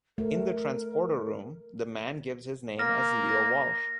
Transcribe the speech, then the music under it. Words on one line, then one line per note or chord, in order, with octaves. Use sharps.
In the transporter room, the man gives his name as Leo Walsh.
A3 A#4
A#3 F6 A#6
A#6